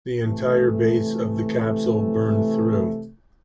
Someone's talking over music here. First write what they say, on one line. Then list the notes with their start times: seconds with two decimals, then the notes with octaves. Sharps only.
The entire base of the capsule burned through.
0.22 C3 E3 A3